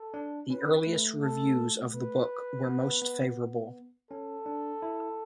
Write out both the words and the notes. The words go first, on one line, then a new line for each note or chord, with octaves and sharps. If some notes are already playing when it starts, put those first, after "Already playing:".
The earliest reviews of the book were most favourable.
Already playing: A4
D4
C#4 B4
A3
A4
B4
B3
B3
C#4 A4
D4
E4